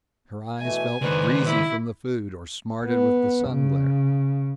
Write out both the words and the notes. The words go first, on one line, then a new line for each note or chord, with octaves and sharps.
Her eyes felt greasy from the food, or smarted with the sun-glare.
B2 E3 A3 G#5
C#2 D#3 B4 C5 D5
E4
B3
C#3